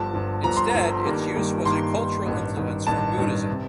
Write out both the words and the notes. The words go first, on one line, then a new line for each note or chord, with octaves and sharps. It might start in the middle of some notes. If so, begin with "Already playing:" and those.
Instead, its use was a cultural influence from Buddhism.
Already playing: G1 G2 F3 A5
G1 G2 F3
G1 G2 F3 A#5
C6
G1 G2 F3 A#5
G2 D#3 G3 A#3
G2 D#3 G3 A#3
G2 D#3 G3 A#3 C6
G2 D#3 G3 A#3
A1 G2 D#3
A1 G2 D#3
A1 G2 D#3 A5
A1 G2 D#3
C3